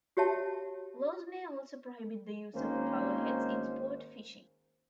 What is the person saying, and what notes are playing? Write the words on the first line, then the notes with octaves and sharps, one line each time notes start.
Laws may also prohibit the use of powerheads in sport fishing.
F#4 G4 C#5 E5 A5
G#1 D#3 A#3 C#4 C5